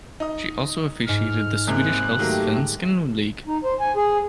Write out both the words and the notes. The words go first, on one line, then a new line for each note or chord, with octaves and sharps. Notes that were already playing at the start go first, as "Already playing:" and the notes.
She also officiated in the Swedish Allsvenskan league.
D#4 D#6
G#2 F6 C#7
C#2 C3 G#3 A#3 F#6
D#3 F#3 A3 A#3 G4
D#4
C5
G#5
G#4